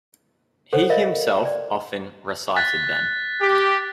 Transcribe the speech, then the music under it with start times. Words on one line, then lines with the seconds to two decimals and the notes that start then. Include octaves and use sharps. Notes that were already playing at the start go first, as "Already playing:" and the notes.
He himself often recited them.
0.73 A4 C5 C#5 F#5
0.90 A#4 D5 D#5 F5 B5
1.43 D5 G5
2.56 F#6 A6 B6
3.41 G4